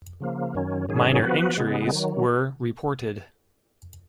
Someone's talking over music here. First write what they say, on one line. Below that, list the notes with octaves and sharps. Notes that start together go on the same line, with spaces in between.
Minor injuries were reported.
C#3 F3 A#3
F#2 D#3 F#3 C#4
G#2 D#3 F#3 C#4 G#4
F3 B3 F#4 B4
C#3 G#3 B3
D#3 F#3